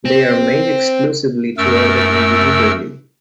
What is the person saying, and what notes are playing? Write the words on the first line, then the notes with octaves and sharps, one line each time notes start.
They are made exclusively to order individually.
C4
F#2 A3 A#4 E6